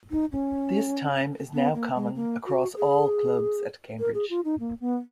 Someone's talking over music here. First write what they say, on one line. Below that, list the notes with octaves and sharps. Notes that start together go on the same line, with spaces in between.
This time is now common across all clubs at Cambridge.
D#4
C#4
B3
A#3
G#3
A#3
F#4
G#4
A#4
G#4
F4
D#4
A#3
B3